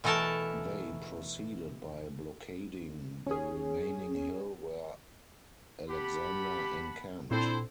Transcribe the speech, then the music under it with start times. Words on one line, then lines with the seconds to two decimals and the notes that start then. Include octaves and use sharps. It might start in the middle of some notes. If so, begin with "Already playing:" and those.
They proceeded by blockading the remaining hill were Alexander encamped.
0.04 B2 E3 A3 A4 A#4 A5
3.27 C#4 G#4
5.89 G4 F#5 A5 B5
7.31 A#2 C4 D4 E4 A4 C5